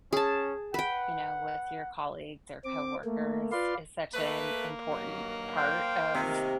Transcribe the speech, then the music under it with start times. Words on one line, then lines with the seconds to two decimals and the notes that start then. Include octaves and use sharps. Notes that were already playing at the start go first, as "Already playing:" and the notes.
you know, with your colleagues or coworkers is such an important part of,
0.13 C#4 G#4 A5
0.74 B4 F#5 G5
2.65 C4 D6
3.04 A3 A#3
3.52 F4 B4 D5 F5 C6
4.14 A3 A#3 B4
4.91 G2 D#3 F#3
5.57 C5 F5 G5
6.15 C3 D#3